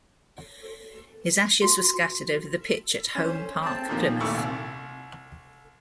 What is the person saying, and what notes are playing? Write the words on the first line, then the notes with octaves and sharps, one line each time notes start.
His ashes were scattered over the pitch at Home Park, Plymouth.
F#4 C6
C#4 C5
C4 A5
A#2 D3 D#3 F3
G#1 D#2 A#2 A3 E4 C#6
C2